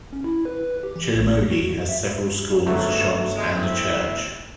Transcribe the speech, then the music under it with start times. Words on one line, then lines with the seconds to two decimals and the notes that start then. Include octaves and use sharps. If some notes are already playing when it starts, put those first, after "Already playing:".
Chiliomodi has several schools, shops and a church.
0.13 C#4
0.24 E4
0.45 B4
0.62 B4
0.83 G4
0.96 E3
1.15 A#1
1.51 F#4
1.73 F#2
1.89 E5
2.66 G1 G#2 F#3 A3
3.37 G#3
3.55 C4 E4